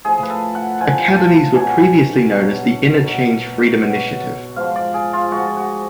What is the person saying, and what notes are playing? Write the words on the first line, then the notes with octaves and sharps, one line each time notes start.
Academies were previously known as the InnerChange Freedom Initiative.
A2 F3 G#4
B4
A4
F#5
A2 F3 G#5
A5
B2 F#3 G#5
B2 F#3
B2 F#3
B2 F#3
G#2 F3 F5
D5
G#4
F4
G#2 F3 F#4
F#4